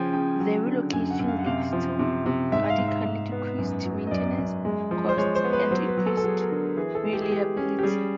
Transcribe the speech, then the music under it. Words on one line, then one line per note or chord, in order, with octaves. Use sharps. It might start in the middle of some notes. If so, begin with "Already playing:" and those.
The relocation led to radically decreased maintenance costs and increased reliability.
Already playing: C#3 F3 C#4 G5 G#5
C#3 G5
F#3
D3
F#2 G#5
F#5
F#2
F5
F#5
C3 F5
F3
C3
C3
G#2 E5
F5
G#2
E5
G#2
B3
F#2
F#3
D#5
F#2 D5
F#2
G#3
F3
C5
G#3 C#5
C5
B3
B4
F#3 C5
B4
F#3
A4
A4
F#3 G#4
A#4
D3
E3 G#4
A4
G#3
G4
G#4
G#3 G4
C#4
G4
G3 G#4